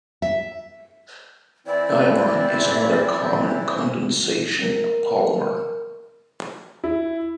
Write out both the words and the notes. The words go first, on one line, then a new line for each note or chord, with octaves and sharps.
Nylon is another common condensation polymer.
E5
E3 C4 E4 D5
A#4
E4